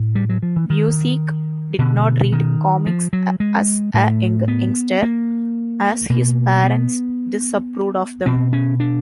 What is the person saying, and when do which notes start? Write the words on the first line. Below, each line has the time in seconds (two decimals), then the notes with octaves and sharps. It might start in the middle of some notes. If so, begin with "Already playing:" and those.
Busiek did not read comics as a youngster, as his parents disapproved of them.
Already playing: A2
0.15 G3
0.29 F#3
0.43 F3
0.56 E3
0.70 D#3
1.79 B2 D3
2.32 D#3
2.86 F3
3.13 F#3
3.40 G#3
3.94 A2 A3
4.48 B3
5.03 A#3
6.10 B2 A#3
6.64 B3
8.26 B2 C4
8.53 C#4
8.80 D4